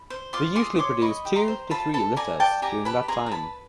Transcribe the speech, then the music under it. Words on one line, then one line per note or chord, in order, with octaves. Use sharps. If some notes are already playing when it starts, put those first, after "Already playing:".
They usually produce two to three litters during that time.
Already playing: B5
C5
F4 C6 D6
G#4 C6 D6
C#5 C6 D6
D#5 B5 C#6
G4
A#5 C6
C5
F4 A5 B5
A4 A5 B5
D5 G#5 A#5
D5 G5 A5
G4 G#5 A#5
B4 A5 B5
G#4 A#5 C6
A#5
B4 A5 B5